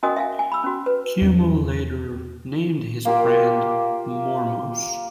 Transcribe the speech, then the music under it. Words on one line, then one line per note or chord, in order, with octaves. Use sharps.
Cuomo later named his band Mormos.
C#4 F#4 A#4 D#5 G#5 D#6
E5 F5 G#5
G#5
B5 E6
C#4 F#4
B4
E2 C#4
A#3 F4 G4